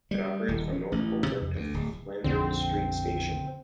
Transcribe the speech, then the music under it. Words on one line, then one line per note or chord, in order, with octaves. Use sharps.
It operates from North Coburg to Flinders Street station.
G3
D#1
C#4
A1
C3
F2
D2
D1
A#1 F2 D3 C4